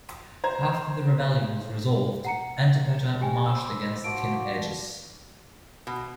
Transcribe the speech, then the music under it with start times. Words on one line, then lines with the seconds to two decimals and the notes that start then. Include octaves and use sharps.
After the rebellion was resolved, Antipater marched against King Agis.
0.44 C5 A#5 G#6
2.25 F#5 A#5 C#7
3.21 G4 G5 G#5
3.46 C5 D5 B5 E6
4.04 F3 F#4 D5 D7
5.87 B2